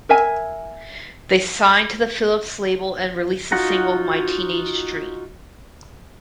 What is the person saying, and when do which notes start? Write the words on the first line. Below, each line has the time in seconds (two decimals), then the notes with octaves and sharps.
They signed to the Philips label and released the single "My Teenage Dream".
0.09 A#4 E5 G#5
3.52 D#4 F4 F#4 F#5 A#5